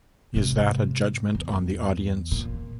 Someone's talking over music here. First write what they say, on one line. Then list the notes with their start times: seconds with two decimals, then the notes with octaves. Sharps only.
Is that a judgment on the audience?
0.34 G#2 C3
1.35 E2
2.32 A#2